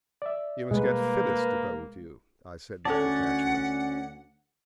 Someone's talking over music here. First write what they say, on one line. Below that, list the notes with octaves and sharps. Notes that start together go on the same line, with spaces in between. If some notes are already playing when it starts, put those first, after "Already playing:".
"You must get Phyllis to bowl to you," I said with detachment.
D5 E5
B2 G3 G#3 A#3 B4
D2 C#4 A4 D5 F#5 A5